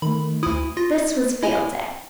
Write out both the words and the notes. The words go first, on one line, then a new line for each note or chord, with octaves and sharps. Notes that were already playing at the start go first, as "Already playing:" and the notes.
This was Field Day.
D#3 A3 B5
D2 E4 D#6
F4 A#6
E4 D#5 G#5